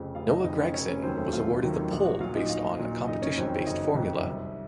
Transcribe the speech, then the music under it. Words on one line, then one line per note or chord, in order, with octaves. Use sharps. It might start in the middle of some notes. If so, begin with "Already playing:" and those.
Noah Gragson was awarded the pole based on competition based formula.
Already playing: F1 F2 C#3 F4
F1 F4 F5
D#4 D#5
F2 C#3 D#4 D#5
C#4 C#5
F1 C#4 C#5
C#4 C#5
D#2 D#3 F#3 C4 C5
A3 A4
F1 F4
D#2 D#3 F#3
A#1
F#4
A#2 F#3 F4 F5
D#4 D#5
A#1 F4 F5
A#2 F#3
F#1 D#4 D#5
C#4 C#5
F2 D#3 F#3 C4 C5
F#1 D#4 D#5
F2 D#3 F#3
C2